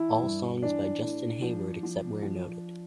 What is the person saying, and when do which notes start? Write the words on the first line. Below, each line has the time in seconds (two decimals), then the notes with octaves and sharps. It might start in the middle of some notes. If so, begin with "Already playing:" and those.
All songs by Justin Hayward except where noted.
Already playing: E3 E4
0.22 G2
0.62 E3 D4
1.02 A2
1.42 F3
1.83 F3
2.22 F3